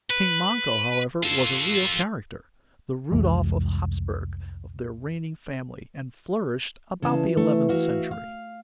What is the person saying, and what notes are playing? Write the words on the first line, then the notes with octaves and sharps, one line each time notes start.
King Manco, however, was a real character, the Rudolph of Hapsburg of their reigning family, and flourished about the eleventh century.
B4
F4 A4
C2 F2 E3 G#3
D2 C#3 E3 A5
A3
F#4 E5 F5
F5